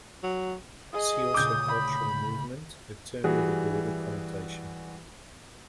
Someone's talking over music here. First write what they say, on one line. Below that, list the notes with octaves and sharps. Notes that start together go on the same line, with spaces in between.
See also cultural movement, a term with a broader connotation.
F#3
G#4 D#5 D#6
D2 A#2 C#3 D6 G6
B5
E3 G3 F#4 G#4